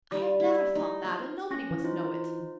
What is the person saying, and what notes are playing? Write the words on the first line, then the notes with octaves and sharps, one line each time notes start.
I have never thought that, and nobody must know it!
G3
E4
D#4
F4
C#4 C#6 A#6
E3
D#4 F4 C5